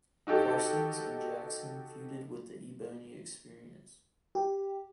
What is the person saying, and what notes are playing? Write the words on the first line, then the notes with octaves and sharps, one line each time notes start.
Parsons and Jackson feuded with The Ebony Experience.
D#4 F#4 G4 A4
G4